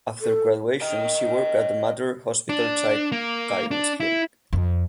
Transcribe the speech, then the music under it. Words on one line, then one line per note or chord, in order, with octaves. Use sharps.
After graduation she worked at the Mater Hospital Child Guidance Clinic.
A4
D#5 G5
D4
A#3
D4
E4
F2